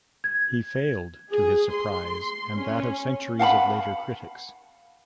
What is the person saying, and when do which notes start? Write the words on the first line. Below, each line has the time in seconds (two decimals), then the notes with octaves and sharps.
He failed, to his surprise and that of centuries of later critics.
0.24 G#6
1.32 G#4
1.74 C6
2.56 C#4
3.39 F5 F#5 A5 B5